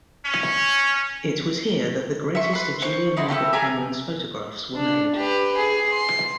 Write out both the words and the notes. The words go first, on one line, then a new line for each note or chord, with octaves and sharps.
It was here that the greatest of Julia Margaret Cameron's photographs were made.
C#4
E5 C6 C#6
B4 C6
C5 C#6
D#4 E4 F#4 C6
E4 F4 G4 A4
G4 G#4 A#4 G#5
D4
G4 B4
G#4
C6